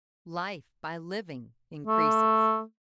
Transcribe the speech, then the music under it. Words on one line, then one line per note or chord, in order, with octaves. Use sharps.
Life, by living, increases.
A3